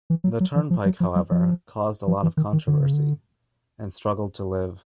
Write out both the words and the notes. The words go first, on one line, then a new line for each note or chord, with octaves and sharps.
The turnpike however, caused a lot of controversy, and struggled to live.
E3
F#3
F#3
E3
F3
F#3
F3
F#3
F3
F3
E3
D#3
D#3
D3
C#3
D3